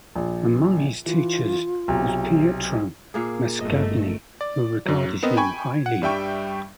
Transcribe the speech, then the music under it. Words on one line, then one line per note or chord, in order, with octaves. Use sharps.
Among his teachers was Pietro Mascagni, who regarded him highly.
A#1
E3 F4
B1 C3
A#2 A#3 G#4
G1 A3 D#5
D5
F#2 F#3
B3 C4 A#4 D#5
G5 G#5 B5 C#6 G#6
F#5
G2 G3 E5 G5 C#6